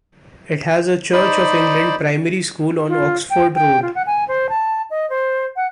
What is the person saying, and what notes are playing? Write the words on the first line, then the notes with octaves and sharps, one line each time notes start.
It has a Church of England primary school on Oxford Road.
D#4 C5 D5 B5
F4
G5
G5
F4
F#5
G#5
C5
A5
D#5
C5
F#5